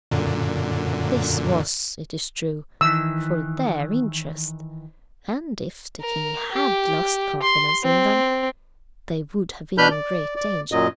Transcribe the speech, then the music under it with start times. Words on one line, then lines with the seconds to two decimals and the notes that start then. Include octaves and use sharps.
This was, it is true, for their interest; and if the king had lost confidence in them, they would have been in great danger.
0.11 F#2 A#2 D3
2.81 D#3 E3 E6
6.01 A#4
6.52 G4
7.43 C6
7.84 C4
9.78 B2 D4 B4 B5 F6 G6
9.91 D5
10.36 D5
10.72 F#2 A#2 F#3 D#5